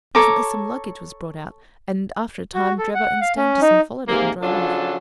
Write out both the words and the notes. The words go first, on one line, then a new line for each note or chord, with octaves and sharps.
Presently some luggage was brought out, and after a time Drebber and Stangerson followed it, and drove off.
A4 C#5 A#5 D6
F#4
A4
F#5
F5
C#4
D#4
G#2 C3 A#3
C#3 F3 F#3 D4 F4 A4